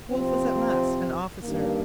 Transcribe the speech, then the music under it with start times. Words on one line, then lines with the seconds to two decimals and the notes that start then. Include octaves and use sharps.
Wolfe was at last an officer.
0.12 C3 F3 C4
1.44 G2 D#3 A#3